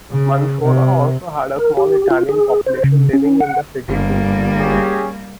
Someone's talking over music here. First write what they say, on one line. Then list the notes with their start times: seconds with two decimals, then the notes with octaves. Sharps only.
Mansoura also had a small Italian population living in the city too.
0.11 C#3
0.63 C3
1.59 A#4
1.77 G4
2.11 F4
2.29 G#4
2.66 C5
2.84 C#3
3.13 C#4
3.40 F#5
3.88 G1 G3 A#3
4.60 C#4 G4 G#4